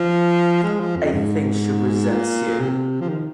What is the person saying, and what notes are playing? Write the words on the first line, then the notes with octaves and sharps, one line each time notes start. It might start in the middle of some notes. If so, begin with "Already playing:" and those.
I think she resents you.
Already playing: F3
G#3
F3
F2
G#2
A#2
C3
F3
D#3